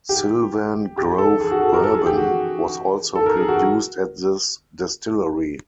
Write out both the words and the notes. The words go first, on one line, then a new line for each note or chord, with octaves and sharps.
Sylvan Grove Bourbon was also produced at this distillery.
G4
G4
A4
G#4
F#4
A4
A#4
A4
G#4
G4
F#4
A4
A#4
G#4
F#4